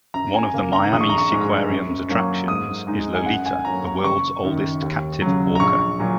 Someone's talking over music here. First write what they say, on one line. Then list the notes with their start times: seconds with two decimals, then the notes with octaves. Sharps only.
One of the Miami Seaquarium's attractions is Lolita, the world's oldest captive orca.
0.14 F#2 A#5
0.34 G#5
0.53 C#3 A#3
0.73 A#5
0.93 A#1 D#6
1.01 C#6
1.09 A#5
1.18 C#6
1.31 G#2 G#3
1.70 F#2
2.09 F#3 A#3 C#4
2.48 G#2 D#6
2.87 G#3 D#4
3.15 G#5
3.26 F#2 F#5
3.46 G#5
3.65 F#3 A#3 C#4 A#5
3.85 A#5
4.04 F#1 C#6
4.43 F#2 D#3
4.82 D#2
5.22 C#3 F#3
5.55 A#5
5.60 A#1 C#6
5.99 A#2 F#3